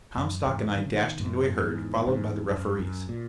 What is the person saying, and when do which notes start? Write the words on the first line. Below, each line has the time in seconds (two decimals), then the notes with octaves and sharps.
Comstock and I dashed into a herd, followed by the referees.
0.17 F#2
0.47 E2 G#2
0.76 D#3
0.85 C#3
0.94 B2 D#3
1.20 F#2 A#2
1.62 E2 G#2
2.07 E2 G#2
2.51 F#2
2.79 F#2
3.09 A#2